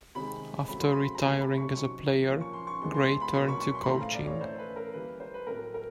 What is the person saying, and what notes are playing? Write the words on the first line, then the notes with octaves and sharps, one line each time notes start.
After retiring as a player, Gray turned to coaching.
C3 D#3 G#3 C4 B5
C#3 F#3 A3 C4 B5
C6
B5
A#5
C3 E3 A3 C#4 A5
B5
C#6
C3 D#3 F#3 C#6
A#2 F3 A#3 C#4
C#6
C6
C#6
C3 E3 G#3 B3 C6
C6
C6
B5
B2 F#3 A#3 C#4 B5
C#6
C#6
C6
B5
A2 E3 A3 C4 A#5
F5
D5
C#5
E3 A3 C#4 C5
B4
A#4
E3 G3 A#3 B4
C5
B4
A2 F#3 A3 C4 A#4
A#4